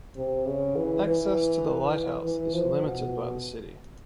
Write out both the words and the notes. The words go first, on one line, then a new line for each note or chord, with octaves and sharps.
Access to the lighthouse is limited by the city.
C3
C#3
E3
E3
E3
F3
B2